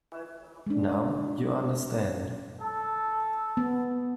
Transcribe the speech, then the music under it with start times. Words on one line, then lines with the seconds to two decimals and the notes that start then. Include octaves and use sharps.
Now, you understand.
0.67 G#3 D4
2.61 A4
3.57 B3